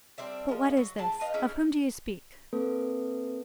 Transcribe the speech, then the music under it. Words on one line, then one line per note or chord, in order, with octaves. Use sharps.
'But what is this?--of whom do you speak?'
G3 C4 D4 E5
F3 G#3
F#3
A2 G#4 A5
B4 D#5 F5
C#4 D#4 E4 G#4
A#3 C4 A4 B4